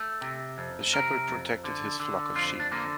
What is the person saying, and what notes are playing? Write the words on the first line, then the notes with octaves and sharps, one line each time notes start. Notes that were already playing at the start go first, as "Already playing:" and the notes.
The shepherd protected his flock of sheep.
Already playing: A3
C3
F2
C3 A#4
F2
D3
D3
F2 F4
D4
D3 A#3